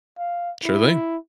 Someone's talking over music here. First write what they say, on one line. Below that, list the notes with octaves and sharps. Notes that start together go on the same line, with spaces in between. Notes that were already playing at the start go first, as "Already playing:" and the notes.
Sure thing.
F5
E4